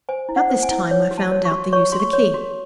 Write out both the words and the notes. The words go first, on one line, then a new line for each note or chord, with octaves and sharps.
About this time I found out the use of a key.
C5 G#5
E4
F#5
C5
G#5
E4
C#5
F#4
A5
C#5
C#6
F#4
C#5 C#6
F#4 C6
C#6
C#5
F#4